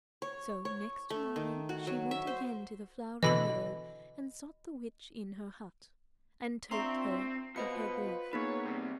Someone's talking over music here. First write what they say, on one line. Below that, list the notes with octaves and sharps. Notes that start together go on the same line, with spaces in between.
So next morning she went again to the flowery meadow and sought the witch in her hut, and told her of her grief.
C#5
C#5
A3
D#3
F#4
F#3
E5
C5
B2 D3 E3 D#5 B5 F#7
C4 D4 F4 E5 A#5 C6 C#6
B2 F4 B4 C5 D#5 C#7
A#3 B3 D#4 G#4 B4 C#5
C2 C3